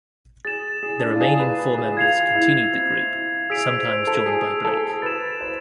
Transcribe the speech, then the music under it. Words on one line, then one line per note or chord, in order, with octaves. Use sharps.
The remaining four members continued the group, sometimes joined by Blake.
G#4 A6 E7
G#4
D4
E4
F4
G#4
B4
G#4
F4 G#6 C7 F7
E4
C4
G#4 E6 B6 D7 F7
C5
C5
A4
G#4
A4
B4 A6 E7
C5